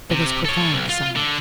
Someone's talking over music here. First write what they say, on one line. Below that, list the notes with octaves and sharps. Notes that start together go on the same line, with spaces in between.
There was profound silence.
C3
A4 C#5
B1
F4
D3